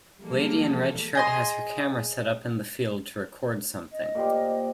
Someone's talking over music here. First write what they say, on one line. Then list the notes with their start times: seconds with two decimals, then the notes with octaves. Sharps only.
Lady in red shirt has her camera set up in the field to record something.
0.20 E3 F3 G3 G#3 A#3 A4
1.15 G#4 D#5 C6
3.91 D#5
4.15 A#2 G4 C5